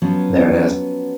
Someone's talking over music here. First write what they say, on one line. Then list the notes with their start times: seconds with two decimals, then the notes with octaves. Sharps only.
There it is.
0.02 F3 F#3 B3 C#4